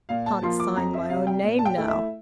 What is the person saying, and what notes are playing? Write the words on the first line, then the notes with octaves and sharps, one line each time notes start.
I can't sign my own name now.
A#2 F5
A5
F3 A#3 F4 C6
D6
F2 A#5
E5
C3 G3 F5
G5
A#2
A5
G5
A3 E4
E5